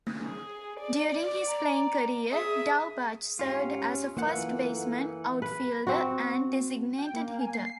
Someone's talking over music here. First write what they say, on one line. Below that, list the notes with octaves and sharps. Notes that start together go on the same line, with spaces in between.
During his playing career Daubach served as a first baseman, outfielder, and designated hitter.
G#4
D5
A#5
G#4 E5 D#6
G#2 C#4 F4 G4
F#2 E3 A3 A#3 F4 F#5
B4
C4 F#4
G5
A#3
G#5
C7